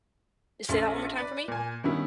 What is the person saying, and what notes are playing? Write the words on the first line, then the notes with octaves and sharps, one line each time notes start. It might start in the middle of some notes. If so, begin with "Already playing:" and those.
Say that one more time for me.
A#1 C#4 A4 C6
B4 D5
A#2 G#5
G2 D#3 B3 C#4 E4